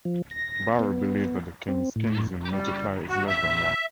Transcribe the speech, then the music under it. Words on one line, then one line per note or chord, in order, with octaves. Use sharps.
Barro believes that the Keynesian multiplier is less than one.
F3
A#6
B3
C4
A2
G3
F#4
E5